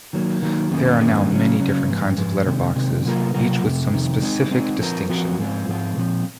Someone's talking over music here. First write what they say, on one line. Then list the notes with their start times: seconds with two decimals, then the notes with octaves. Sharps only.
There are now many different kinds of letterboxes, each with some specific distinction.
0.13 D#3 F#3 A#3
0.42 D#3 F#3 A#3
0.71 F#2 D#3 A#3 C#4 G#4
1.00 F#2 D#3 A#3 C#4 G#4
1.30 C#3 F#3 C#4
1.59 C#3 F#3 C#4
1.88 G#2 F3 G#3
2.17 G#2 F3 G#3
2.46 C3 D#3 G#3 C4
2.76 C3 D#3 G#3 C4
3.05 C3 F#3 A#3 F4 A#4
3.34 C3 F#3 A#3 F4 A#4
3.63 F2 C3
3.92 F2 C3 D#3
4.22 G#3 C4 D#4
4.51 G#3 C4 D#4
4.80 F3 C4 F#4 A#4
5.09 F3 C4 F#4 A#4
5.38 G#2 F3 G#3 C4 F4
5.68 G#2 F3 G#3 C4 F4
5.97 A#2 F3 C4